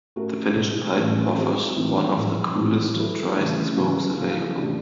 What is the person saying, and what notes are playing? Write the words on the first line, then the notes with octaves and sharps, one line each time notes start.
The finished pipe offers one of the coolest, driest smokes available.
A3 C#4 F#4 A#4
B2 G#3 B3
A2 E3 A3 C#4
G#3 C4 D#4 F#4
E3 A3 C4 E4
A#2 F3 G#3 B3
A2 E3 G3 C4
F#3 B3 E4 A4
C#3 E3 A3
C#3 F#3 B3 D#4 F#4
C#3 F3 A#3
C3 E3 A3 D4 F#4